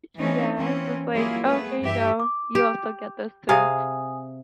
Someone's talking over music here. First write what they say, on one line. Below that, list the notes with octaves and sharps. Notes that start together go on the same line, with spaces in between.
yeah, just like, "Oh, here you go, you also get this too."
E3 A3 C4 C#4 D#4
E3 A#3 C4 C#4
F#3 G3 A#3 E4 F4 G#4
A3 B3 G#4 B4
G2 E3 G4 E5
D6
G4
C3 G#4 F5 G#5 D#6